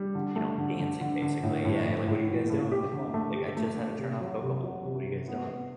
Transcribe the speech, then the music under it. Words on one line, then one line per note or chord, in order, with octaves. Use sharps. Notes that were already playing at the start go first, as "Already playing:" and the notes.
you know, dancing, basically. Yeah you're like, "What are you guys doing? Like, come on, like, I just had to turn off Cocomelon, like, what are you guys doing?"
Already playing: G3
D3
A3
D3
D3
D3
D3
A2
A2
A2
A2
E3
A2
G4
D3
A3
G4
A3
A3
C3
F#3
C3
F#3
C3
C3
B3
B3